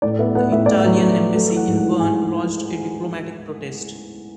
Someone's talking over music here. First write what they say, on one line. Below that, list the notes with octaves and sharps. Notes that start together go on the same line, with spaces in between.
The Italian embassy in Berne lodged a diplomatic protest.
A2 D5
B3 E5
B3 F#5
A2 E5
A2 D5
E5
F#3
F#3
F#3
A3
E3
F#5
G#2
F#5
E3
G#2 G#5